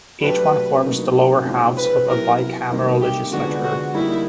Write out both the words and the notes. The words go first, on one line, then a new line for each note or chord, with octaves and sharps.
Each one forms the lower house of a bicameral legislature.
F#3 A3 D4 G4 B4
F#3 A#3 D#4 F#4
C#3 F3 G#3 C4 D#4
B4
F#3 B3 E4 G4 A#4
C3 D#3 G3 A#3 D#4
G4
D3 F3 G#3 B3 D4 F#4
F#4
G3 A#3 D#4 E4